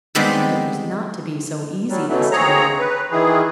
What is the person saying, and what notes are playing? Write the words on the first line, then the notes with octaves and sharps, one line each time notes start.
But it was not to be so easy this time.
D#3 G3 G#3 B3 C4
F#3 G3
B2 E3 F#3 A3
D#2 C4 G#4 C#5 A#5
B4
D#3 E3 G#4